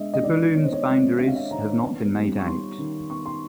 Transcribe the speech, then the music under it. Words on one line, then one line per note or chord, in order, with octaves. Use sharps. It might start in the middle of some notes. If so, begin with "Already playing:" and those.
Zebulun's boundaries have not been made out.
Already playing: G#3 B3 D4 D#5 E5
D#5
D#3 D5
B3 C#5
C5
C#5
D5
G#3 D#5
D4 E5
F5
E5
D#3 A#5
B3
G3
C#6
D#4 C6
D#3
B3 C#6
C6